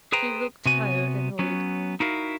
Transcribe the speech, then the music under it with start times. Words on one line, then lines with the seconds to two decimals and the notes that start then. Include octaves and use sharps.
She looked tired and old.
0.12 G#4 B4 C5 G5 A#5
0.66 C3 B3 F#4 G#5
1.39 F#3 B3 C#4
2.00 D#4 E4 F#4 A#4 F5